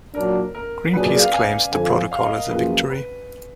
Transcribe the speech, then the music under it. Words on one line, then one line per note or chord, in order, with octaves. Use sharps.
Greenpeace claims the protocol as a victory.
A#2 F#3 D4 A#4
A#4
A#2 F#3 D4 G#4 B4
D5
F5
G#5
F2 D3 F3 G#5
F5
D#5
A#4
F#2 F3 A#3 F4 G#4 B4
B4